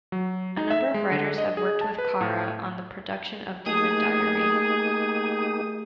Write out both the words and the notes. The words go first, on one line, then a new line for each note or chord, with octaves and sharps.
A number of writers have worked with Kara on the production of "Demon Diary".
F#3
D#4
E5
G#3
D3
D#5
G#4
A5
B4
A2
A3 A#3 D#4 G4 G#4 D#6